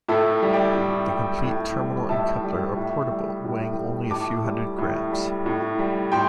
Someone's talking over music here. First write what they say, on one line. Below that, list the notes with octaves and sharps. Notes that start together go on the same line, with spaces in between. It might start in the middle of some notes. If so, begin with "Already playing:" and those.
The complete terminal and coupler are portable, weighing only a few hundred grammes.
A2 E4 A4
G3
D5 G5
A2
G3
A2
G3
A2 E5 A5
G3
A2
G3
A2
G3
A2 A5 D6
G3
A2
G3
A2
G3
A2 G5 C6